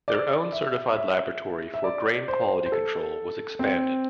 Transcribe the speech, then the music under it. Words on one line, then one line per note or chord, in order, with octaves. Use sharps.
Their own certified laboratory for grain quality control was expanded.
D5
E5
E5
E5
D5
C5
C5
A4
C4